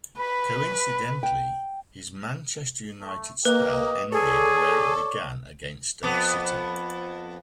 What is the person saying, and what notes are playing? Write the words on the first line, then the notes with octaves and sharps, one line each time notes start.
Coincidentally, his Manchester United spell ended where it began-against Stoke City.
B4 B5
G5
A3
A#3 G4 B4 D#5
G#4 A4 C#5 D5
F2 B3